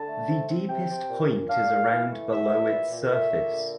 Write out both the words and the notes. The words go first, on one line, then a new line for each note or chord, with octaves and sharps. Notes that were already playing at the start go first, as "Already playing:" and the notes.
The deepest point is around below its surface.
Already playing: D3 A5
A3
C4
C4
C3 G5
C3
A#2
A#2
D4 F5
A#2
E3
A3
G2 E5
E3
A#2
A#2
A3 E5
A#2
D3